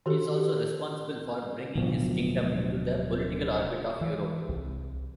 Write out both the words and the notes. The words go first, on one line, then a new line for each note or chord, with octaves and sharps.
He is also responsible for bringing his kingdom into the political orbit of Europe.
D#3 F#4 G4 A4
D1 D2 B2 F3
E3
C2